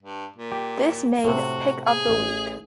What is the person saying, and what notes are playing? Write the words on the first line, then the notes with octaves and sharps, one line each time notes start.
This made pick of the week.
G2
A#2
G4
A2 C3 F#4
G#4
A1